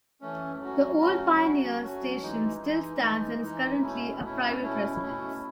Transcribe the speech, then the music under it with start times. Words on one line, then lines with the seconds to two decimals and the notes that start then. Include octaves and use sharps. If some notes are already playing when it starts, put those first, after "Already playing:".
The old Pioneer Station still stands and is currently a private residence.
0.21 E3 A3 C#4
0.60 F#3 A3 C#4 F#4
1.00 F#3 A3 C#4 F#4
1.41 F#3 A3 C#4 F#4
1.81 F#3 A3 C#4 F#4
2.21 E3 G#3 D#4
2.61 E3 G#3 D#4
3.00 E3 G#3 D#4
3.41 E3 G#3 D#4
3.81 B2 A3 C#4 E4
4.21 B2 A3 C#4 E4
4.61 B2 A3 C#4 E4
5.01 B2 A3 C#4 E4